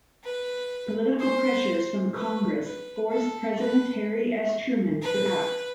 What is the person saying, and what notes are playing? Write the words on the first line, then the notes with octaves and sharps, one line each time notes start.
Political pressures from Congress forced President Harry S. Truman to act.
B4
C5
B4
B4
A4
B4
B4